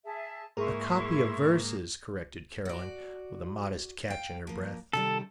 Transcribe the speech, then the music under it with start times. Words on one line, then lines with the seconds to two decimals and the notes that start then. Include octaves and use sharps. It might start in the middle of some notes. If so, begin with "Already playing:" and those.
"A copy of verses," corrected Carolyn, with a modest catch in her breath.
0.05 G#4 E5 A5
0.57 G#2 A#3 E4 G#4 A#4 C6 C#6
2.65 F#4 D5
4.08 F5 G5
4.47 F3 A#3
4.93 C3 D#3 G3 A4